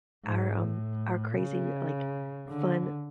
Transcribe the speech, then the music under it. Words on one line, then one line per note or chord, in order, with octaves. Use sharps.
our, um, our crazy like fun
G#2
A2
C#3
D3